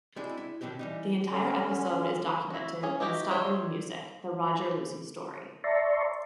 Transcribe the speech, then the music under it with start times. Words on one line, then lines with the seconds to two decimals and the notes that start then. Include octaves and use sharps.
The entire episode is documented in Stopping the Music: The Roger Lucey Story.
0.16 G#3 C4 D4 E4 F#4 G#4
0.37 E4
0.61 B2 D#3 F#3 C4 G4
0.79 E3 G3 D#4
1.29 D3 C#4
2.50 E4 F#4
2.83 C#4 G#4
3.00 E3 D#4 E4 F#4 G4
3.31 G3 C5 C#5 E5
5.64 D5 E5 A5 A#5 C6 C#6